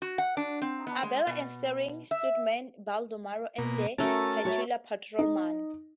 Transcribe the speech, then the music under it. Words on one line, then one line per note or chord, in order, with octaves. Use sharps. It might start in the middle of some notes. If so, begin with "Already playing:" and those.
Abella and starring stuntman Baldo Marro as the titular patrolman.
F#4
F#5
D4
C4
B3
G#3
B2
E5
B2 A#3
A3 C#4 F#4 A#4 A5
F#4 C#5 E5
D#4